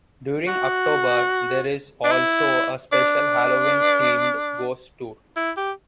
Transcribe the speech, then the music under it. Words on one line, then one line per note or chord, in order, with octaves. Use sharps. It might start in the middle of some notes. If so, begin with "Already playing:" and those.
During October, there is also a special Halloween themed ghost tour.
F#4
D4
E4
D4
E4
G4